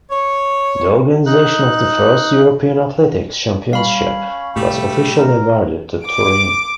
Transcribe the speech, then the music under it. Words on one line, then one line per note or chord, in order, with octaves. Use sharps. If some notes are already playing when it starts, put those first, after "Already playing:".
The organization of the first European Athletics Championships was officially awarded to Turin.
C#5
D#4 F#6
G3 C#4 F5 B5
A2 C3 G3 A3
A#4
D6 D7